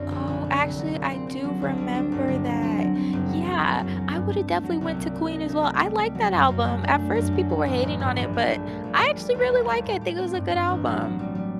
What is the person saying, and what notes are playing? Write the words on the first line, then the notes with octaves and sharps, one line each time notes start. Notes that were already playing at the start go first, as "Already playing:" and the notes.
Oh, actually, I do remember that. Yeah, I would've definitely went to Queen as well I like that album, at first, people were hating on it, but I actually really like it, think it was a good album.
Already playing: F#2 D3 F#3 C4
A#1
A#1
A#1
C2
F#3
A#2
C4
C4
F#3
D2
G3
D4
G1
G1
F#3
C4
F#3
C4
F#1
F#3
F#3
F#3
F#2
F#3
G2
A3
A3
F#3
C2
A#2
A3
D#4
A3
G3
G3
G3
F#3
F#2
F#2
A3
D4
A3
F#2
F#3
F#3
A1
A1
G2
A#1
A3
A3
A#2
A#1
A#2
G3
D#2
G3
A3
A2
G4
C4
G2
G2
A1
F#3
F#3
G3
G3